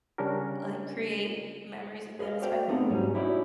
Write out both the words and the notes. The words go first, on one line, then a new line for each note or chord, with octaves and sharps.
like create memories with him, espe
C#3 G3 C#4 D4 G4 A#4
G#4 B4 C5 D#5 F5
F#4 A4 C5 D5 F5 G5
A3 B3 C4 D#4 G#4
G#2 F#3 G3 C#4
C#4 D#4 E4 F#4 C#5 D5